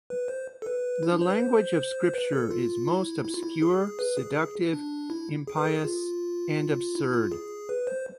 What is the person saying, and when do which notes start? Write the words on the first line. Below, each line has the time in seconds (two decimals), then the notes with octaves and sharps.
The language of scripture is most obscure, seductive, impious, and absurd.
0.10 B4
0.28 C5
0.62 A4
0.66 B4
1.03 E4
1.12 D4
1.21 C5
1.30 B4
1.40 C5
2.14 B4
2.33 A4
2.51 F4
2.88 E4
3.25 E4
3.34 F4
3.43 E4
3.62 G#4
3.99 B4
4.17 G#4
4.35 G#4
4.73 D4
5.10 E4
5.47 G#4
5.57 B4
5.66 A4
5.74 G#4
5.84 F4
6.95 E4
7.13 F4
7.32 G#4
7.69 B4
7.87 C5